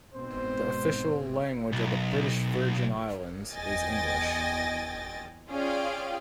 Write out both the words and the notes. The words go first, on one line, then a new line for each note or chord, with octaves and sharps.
The official language of the British Virgin Islands is English.
G#2 B2 C4 C5
B1
E2 D#5 G5 G#5 A6 A#6
C#4 F4 G#4 D5 F5 G5